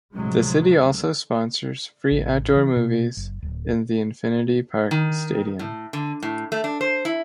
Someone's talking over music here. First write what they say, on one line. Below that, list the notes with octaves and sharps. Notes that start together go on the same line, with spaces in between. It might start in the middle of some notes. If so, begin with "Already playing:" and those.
The city also sponsors free outdoor movies in the Infinity Park stadium.
D2 A2 C3 F3 F#3 G#3
A1
E3
B2
F#1
D1
D#3
A2
D3
A2
A3
D4
C5
E4